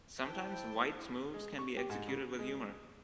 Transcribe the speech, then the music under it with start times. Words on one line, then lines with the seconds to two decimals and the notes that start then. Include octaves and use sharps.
Sometimes White's moves can be executed with humour.
0.23 E4 C5 G5 A5
1.34 G#3
1.59 C#6
1.77 G4
1.90 G#2
2.08 C#3
2.39 G#3